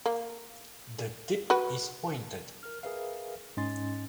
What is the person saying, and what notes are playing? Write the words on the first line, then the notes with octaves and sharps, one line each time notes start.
The tip is pointed.
A#3
F#4 B4
A#4 F6
G#4 A#4 B4 E5 F5
G#2 C#4 D#5 G#5 C6 A6